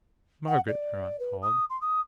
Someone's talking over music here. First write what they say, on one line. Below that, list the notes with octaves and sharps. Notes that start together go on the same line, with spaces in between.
"Margaret!" her aunt called.
F#5
D5
B4
D#6
C6
D#6